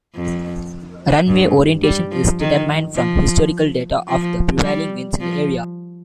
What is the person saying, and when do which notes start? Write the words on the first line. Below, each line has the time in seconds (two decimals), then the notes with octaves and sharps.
Runway orientation is determined from historical data of the prevailing winds in the area.
0.15 F2
1.27 G2
1.83 G3
2.11 F3
2.40 D#3
2.95 F3
4.08 F3
4.63 G3
5.20 F3